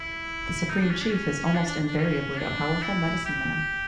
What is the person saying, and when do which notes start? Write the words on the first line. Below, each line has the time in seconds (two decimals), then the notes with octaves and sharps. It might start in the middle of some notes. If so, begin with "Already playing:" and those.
The supreme chief is almost invariably a powerful medicine-man.
Already playing: E4
0.70 D#4
0.81 D4
0.91 C#4
1.02 D4
1.12 C#4
1.46 C#4
1.55 D4
1.66 D4
1.87 D4
1.98 C#4
2.40 D4
2.82 E4
3.25 G4